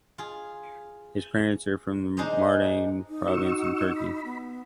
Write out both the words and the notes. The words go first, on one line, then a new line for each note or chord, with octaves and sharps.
His parents are from the Mardin Province in Turkey.
F4 G#4
D4 D#4 G#4 C5 D#5
D#4
F#4 C#6 E6
B5
B3